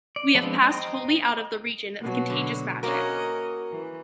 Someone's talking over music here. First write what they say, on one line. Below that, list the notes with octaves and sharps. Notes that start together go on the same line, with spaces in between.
We have passed wholly out of the region of contagious magic.
D5
F3 G#3 B3 C4 D4
C5 D#5 G5 A#5
B2 F#3
D3
A#3 C#4 F#4 A#4 D#5
E3